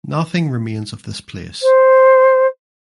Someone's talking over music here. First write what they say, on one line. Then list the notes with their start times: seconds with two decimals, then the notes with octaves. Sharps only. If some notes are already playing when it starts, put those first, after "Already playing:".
Nothing remains of this place.
1.62 C5